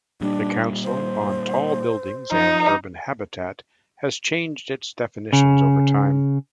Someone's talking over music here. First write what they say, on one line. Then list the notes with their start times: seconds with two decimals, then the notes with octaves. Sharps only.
The Council on Tall Buildings and Urban Habitat has changed its definitions over time.
0.21 A#2 G3 D4
0.84 C5
2.32 F3 D#4
5.33 C#3